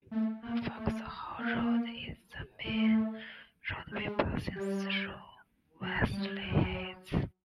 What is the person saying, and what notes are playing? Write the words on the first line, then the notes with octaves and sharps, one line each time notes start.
Foxhall Road is the main roadway passing through Wesley Heights.
A3
A#3
A3
A#3
A3
G#3
G3
F#3
G3
F#3